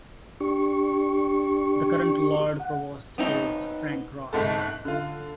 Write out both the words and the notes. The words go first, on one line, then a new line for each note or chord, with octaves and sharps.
The current Lord Provost is Frank Ross.
D4 G4 C#6
F#5
B3 C4 D#4
G1 C2 G#2 A4
F#6
D3 F4